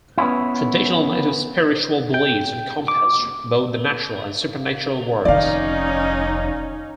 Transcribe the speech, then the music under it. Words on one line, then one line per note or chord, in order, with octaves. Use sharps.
Traditional native spiritual beliefs encompassed both the natural and supernatural worlds.
B3 C#4 E4
G5
D6
F1 D#3 C#4 D#4 D5 F5